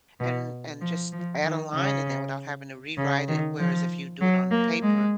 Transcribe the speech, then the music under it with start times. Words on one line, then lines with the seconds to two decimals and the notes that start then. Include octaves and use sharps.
and and just add a line in there without having to rewrite it whereas if you do it on paper,
0.20 B2
0.81 F3
1.13 F3
1.43 D#3
1.74 C#3
2.97 C#3
3.28 D#3
3.59 F3
4.21 F#3
4.51 A#3
4.82 G#3